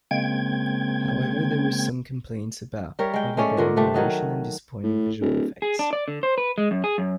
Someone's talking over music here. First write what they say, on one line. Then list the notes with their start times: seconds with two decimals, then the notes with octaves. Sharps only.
However, there were some complaints about overbearing narration and disappointing visual effects.
0.11 C#3 G#3 A#3 C4 G5 G#6
2.99 G3 A#4 C#5 E5
3.14 G#3 G5
3.37 G#3 A3 C#4 D5
3.57 A#2 D3 A#4
3.76 C3 G3 A3 D4
3.94 D#3 F#3 D#4
4.84 A2
5.21 D1
5.62 G#4
5.79 D4
5.93 D5
6.08 D3
6.23 C5
6.38 B4
6.58 G#3
6.71 F#2
6.84 G#4
6.98 F#2